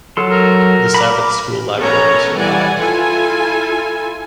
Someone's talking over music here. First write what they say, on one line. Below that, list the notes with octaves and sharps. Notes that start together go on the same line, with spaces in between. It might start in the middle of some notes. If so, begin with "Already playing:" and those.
The Sabbath School Library survived.
F#3 A4 C6
A#4
B5 D6
B3 C#4 A4 A#4 C#5 A#5
E3 G3 D5 F#5 G#5
E4 F4 A4 G#5